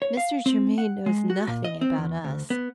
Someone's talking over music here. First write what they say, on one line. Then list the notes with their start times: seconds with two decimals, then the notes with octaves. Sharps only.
Mr. Germaine knows nothing about us.
0.02 C#5
0.17 F5
0.46 C4
0.78 F#5
1.06 G#3
1.30 F#4
1.48 A#2
1.64 D#5
1.81 C4
1.98 E2
2.24 D2
2.50 B3